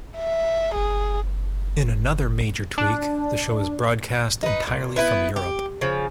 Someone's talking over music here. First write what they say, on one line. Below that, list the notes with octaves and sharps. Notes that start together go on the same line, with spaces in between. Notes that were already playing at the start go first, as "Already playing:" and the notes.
In another major tweak, the show is broadcast entirely from Europe.
E5
G#4
D4
D#4 B4
A#2
B3 E4 B4
G4
C#3 F3